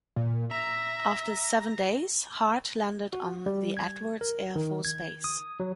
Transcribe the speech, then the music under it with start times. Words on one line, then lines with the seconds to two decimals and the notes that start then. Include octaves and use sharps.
After seven days, Hart landed on the Edwards Air Force Base.
0.16 A#2
0.51 E5 A#5
3.13 F#4
3.46 G3
3.77 G#6
4.21 A#4
4.56 D#3
4.85 G#6
5.24 D#6
5.60 F#3